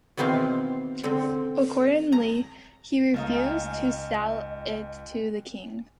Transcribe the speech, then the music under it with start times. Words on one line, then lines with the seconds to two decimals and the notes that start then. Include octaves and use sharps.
Accordingly, he refused to sell it to the king.
0.17 B2 D#3 E3 C4 F5
1.03 D3 C4
2.12 A#5
3.14 C#2 A3 A#3 C#4 D#4 D#5 F5 A5
3.33 G5 G#5